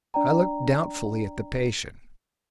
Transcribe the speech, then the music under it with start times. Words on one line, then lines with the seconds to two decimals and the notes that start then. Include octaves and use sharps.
I looked doubtfully at the patient.
0.14 D4 D5 G5 A#5